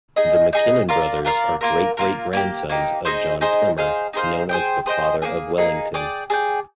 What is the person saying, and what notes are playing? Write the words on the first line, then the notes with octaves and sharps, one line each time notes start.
The McKinnon brothers are great-great-grandsons of John Plimmer, known as the "father of Wellington".
D#4 G#4 D#5
D#4 G#4 D#5
F4 A#4 D5 F5
F4 A#4 D5 F5
A#3 F4 A#4
A#3 F4 A#4
A#3 D#4 G4
A#3 D#4 G4
D#4 G#4 C5 D#5
D#4 G#4 C5 D#5
D#4 G#4 C5 F5
D#4 G#4 C5 F5
G#4 C5 D#5 G5
G#4 C5 D#5 G5
A#3 D#4 G#4
A#3 D#4 G#4
G#4 D5 G5
G#4 D5 G5